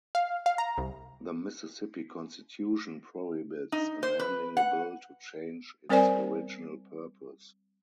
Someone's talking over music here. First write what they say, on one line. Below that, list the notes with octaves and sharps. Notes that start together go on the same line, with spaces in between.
The Mississippi Constitution prohibits amending a bill to change its original purpose.
F5
F5
A#5
C2
D#4
C5
B4
F#5
G3 C4 A#4 C5 D5 G#5